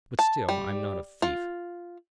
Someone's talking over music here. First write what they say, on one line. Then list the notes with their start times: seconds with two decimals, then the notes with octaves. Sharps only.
But still I'm not a thief?
0.19 A5
0.49 G3
1.22 F4